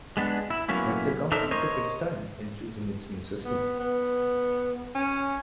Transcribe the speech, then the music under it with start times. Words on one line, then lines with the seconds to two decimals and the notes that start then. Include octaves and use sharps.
But the company took its time in choosing its new system.
0.17 G#3 B3 D4
0.50 E4
0.68 F#3 A#3 B3 C#4 E4
1.32 D4 D#4 A4 A#4 C5 E5
1.51 A#4 C5 C#5 D#5
3.45 B3
3.80 B3
4.95 C#4